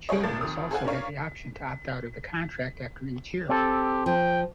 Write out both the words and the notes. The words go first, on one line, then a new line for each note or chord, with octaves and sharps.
Childress also had the option to opt out of the contract after each year.
C#2 G#4 C#5 D#5
C2 A2 A#3 A5 A6
F2 D#3 D#6
G#4 A4 C5 F5 F#5 G#5
C#4 D4 A#4 C#5 F5
C4 G4 A4
F3 G5